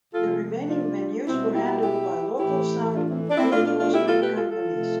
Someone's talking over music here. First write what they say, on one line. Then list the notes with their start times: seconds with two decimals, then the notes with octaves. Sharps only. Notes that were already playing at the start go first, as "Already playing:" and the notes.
The remaining venues were handled by local sound reinforcement companies.
0.13 C3 F3 A3 F4 A4
0.69 D4 F4
1.25 B2 G3 C4 E4
1.54 E4 G4
1.82 E4 G4
2.38 A2 E3 A3 E4 G4
2.95 D4 F4
3.09 C4 E4
3.29 D4
3.37 C4 E4
3.51 B2 A3 D4 F4
3.65 D4 F4
3.79 D4 F4
3.93 E4 G4
4.07 F4 A4
4.21 G4 B4
4.36 F4 A4
4.50 F4 A4
4.64 C3 F3 A3